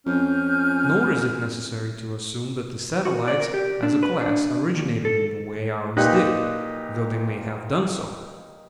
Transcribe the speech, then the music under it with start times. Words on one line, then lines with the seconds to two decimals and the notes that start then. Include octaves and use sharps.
Nor is it necessary to assume that the satellites, as a class, originated in the way ours did; though they may have done so.
0.06 F2 C#4 G#5 F6 G6
3.05 F#4
3.28 D5
3.40 A#4
3.54 G4
3.83 D4
4.03 B4
4.21 D4
4.75 D#2
5.05 A4
5.97 A#2 D#4 G4 B4 F#6